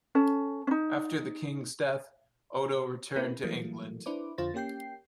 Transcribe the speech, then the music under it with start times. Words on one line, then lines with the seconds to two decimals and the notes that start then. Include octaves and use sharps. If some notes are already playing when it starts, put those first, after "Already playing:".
After the king's death, Odo returned to England.
0.15 C#4 A4 A5
0.67 C#4 D#4
3.16 A#3 C4 C#4 E4 G4 B4
3.43 E3 F#3 G3 A3 A#3
4.06 D4 E4 B4 C5 D6
4.38 F2 D3 F4 C5 A6 A#6
4.54 A#3 C#4 G4 G5 G6 C7